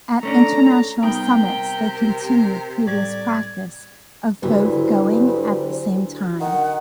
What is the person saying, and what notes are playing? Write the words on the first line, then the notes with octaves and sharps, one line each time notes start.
At international summits they continued previous practice of both going at the same time.
A3 C#4 D4 A#5
C3 G3 B3 D#4 A#4 G5
A2 G3 D5 G#6
G2 D3 E3 F#3 C5
D#3 F#5